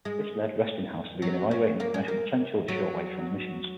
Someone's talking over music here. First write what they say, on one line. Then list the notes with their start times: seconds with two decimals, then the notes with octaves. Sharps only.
This led Westinghouse to begin evaluating the commercial potential of shortwave transmissions.
0.05 G#3
1.22 F#3
1.51 C#4
1.80 A#3
1.94 G#3
2.08 A#3
2.68 F#3